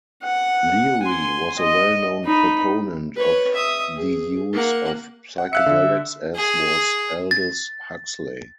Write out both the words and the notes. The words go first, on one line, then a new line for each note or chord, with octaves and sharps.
Leary was a well-known proponent of the use of psychedelics, as was Aldous Huxley.
F#5
G#5 C6
D#5
D#4 B5
B4 C#5
E5 D#6
G#4
A#3 F#5
F#5
E5 F5 F#6 C#7
D3
G#4
A6